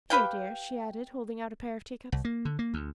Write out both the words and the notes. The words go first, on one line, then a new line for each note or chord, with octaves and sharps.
"Here, dear," she added, holding out a pair of teacups.
G4 B4 F5 G5
C2
A#3
D3
A#3
D2